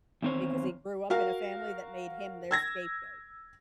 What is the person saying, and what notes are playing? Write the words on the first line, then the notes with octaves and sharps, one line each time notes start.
because he grew up in a family that made him their scapegoat.
E2 D#3 C4 C5 C#5
F#4 A#4 F5
E6 G#6 A#6